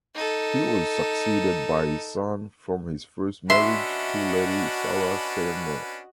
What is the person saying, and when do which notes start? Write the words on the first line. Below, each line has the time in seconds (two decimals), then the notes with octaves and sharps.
He was succeeded by his son from his first marriage to Lady Sarah Seymour.
0.15 D#4 A4
3.50 C#4 D4 F#4 B4 D#5 E5 C6